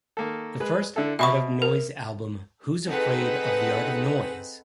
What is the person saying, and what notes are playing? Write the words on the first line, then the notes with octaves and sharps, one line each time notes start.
The first Art of Noise album, Who's Afraid of the Art of Noise?
D#3 A#3 A4
G#3 B4
D3 E4 A4
B2 E5 B5 C#6
A#4
C4 D#4 G#4 A4 B4 F#5